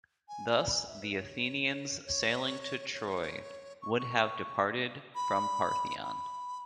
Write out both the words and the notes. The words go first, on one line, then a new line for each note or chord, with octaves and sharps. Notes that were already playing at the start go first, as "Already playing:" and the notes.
Thus the Athenians sailing to Troy would have departed from Phaleron.
G#5
B5
G#5
E5
B4
E5
C#5
C#5
C#5
C#6
C#6
B5
B5